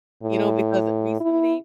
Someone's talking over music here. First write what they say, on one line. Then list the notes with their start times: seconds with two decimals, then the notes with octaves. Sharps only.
You know, because, recently,
0.22 A2
1.20 E4